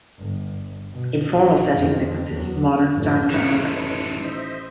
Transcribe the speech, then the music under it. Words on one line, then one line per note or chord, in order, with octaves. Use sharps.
In formal settings, it consists of Modern Standard Arabic.
G1
B2
A#1
F2 D#3
E2 F#3
F1 F2 G#2 D3
A1 D#3 A3 D#4 B4 C#5
C5 D#5 E5